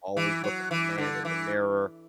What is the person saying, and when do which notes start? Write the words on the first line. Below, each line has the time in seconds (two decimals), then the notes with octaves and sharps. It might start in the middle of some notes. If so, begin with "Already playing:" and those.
"Always look at the man in the mirror,"
0.17 E3
0.44 F#3
0.71 E3
0.98 D3
1.25 E3